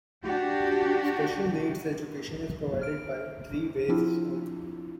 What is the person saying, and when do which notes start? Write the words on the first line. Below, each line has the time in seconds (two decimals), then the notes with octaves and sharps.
Special needs education is provided by Three Ways School.
0.25 D4 F#4 G4
2.82 F6 D7
3.88 F3 C4 D4 E4 F4